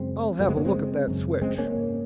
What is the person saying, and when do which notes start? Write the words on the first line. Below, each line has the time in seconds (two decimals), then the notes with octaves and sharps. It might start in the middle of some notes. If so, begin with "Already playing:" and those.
I'll have a look at that switch.
Already playing: F#2 C#3 G#3 C4
0.40 F#2 F#3 A#3
0.44 C#3 G#3 C4
0.57 A#3 C#4
0.65 G#3 C4
1.08 F#2 C#3
1.42 G#3 C4
1.58 A#3 C#4
1.76 G#2